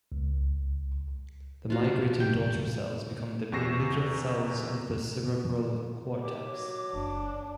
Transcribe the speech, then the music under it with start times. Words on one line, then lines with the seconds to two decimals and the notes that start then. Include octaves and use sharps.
The migrating daughter cells become the pyramidal cells of the cerebral cortex.
0.12 C#2
1.70 F4 F#4
1.84 D4
2.20 G4 G5
3.52 E2 C3 C#6 A#6 C7 E7
6.23 D#2 D6
6.53 F#3
6.93 F#1 D#3 D4